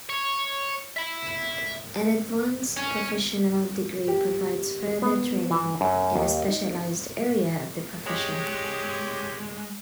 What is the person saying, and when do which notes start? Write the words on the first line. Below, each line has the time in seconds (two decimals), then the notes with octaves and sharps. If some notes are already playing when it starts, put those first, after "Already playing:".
An advanced professional degree provides further training in a specialized area of the profession.
0.09 C#5
0.96 E5 B5
2.77 C#4
4.08 G4
5.02 B3
5.51 E3
5.81 F#2
6.16 D#2
6.48 D#4
8.06 G#3 G4 C#5